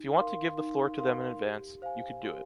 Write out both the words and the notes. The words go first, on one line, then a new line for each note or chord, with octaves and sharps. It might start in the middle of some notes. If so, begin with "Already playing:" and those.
If you want to give the floor to them in advance, you could do it.
Already playing: D#4
A#4 F5 C6
D#4
A#4 F5 C6
G4
C5 F5 G#5
G4